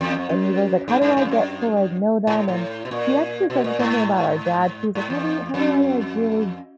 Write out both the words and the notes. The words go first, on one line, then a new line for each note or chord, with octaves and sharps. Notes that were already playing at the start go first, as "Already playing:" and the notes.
and he goes, "Like, how do I get to, like, know them?" and he actually says the same thing about our dad too, he's like, "How do you how do I, like, really
E2
F2
F#2
G2
G2
G2
F2
F#2
G#2
A2
A2
B2
A#2
B2
A#2
G#2
G#2
E2
F2